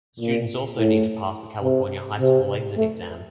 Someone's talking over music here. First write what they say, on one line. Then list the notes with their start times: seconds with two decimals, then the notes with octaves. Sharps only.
Students also need to pass the California High School Exit Exam.
0.20 A#2
0.77 A2
1.62 C3
2.20 C3
2.77 A3